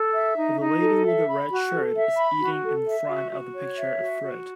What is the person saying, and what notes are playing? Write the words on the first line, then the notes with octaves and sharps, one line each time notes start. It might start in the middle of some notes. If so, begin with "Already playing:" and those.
The lady with the red shirt is eating in front of the picture of fruit.
Already playing: A4
E5
D#4
D#4
A4
E5
B5
F#4
A4
E5
B5
F#4
A4
E5
F#4
F#4
C#5
E5
F#4
F#4